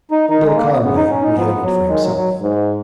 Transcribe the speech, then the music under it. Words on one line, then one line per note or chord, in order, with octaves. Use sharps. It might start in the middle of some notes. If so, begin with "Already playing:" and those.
Bill Conway we hated for himself.
D#4
D#3 D#4
G#3
A#3
B3
C#3 B3
D#4
C#4
D#4
F3 B3
F#3
D#3 G#3
F#3
F#3
G#2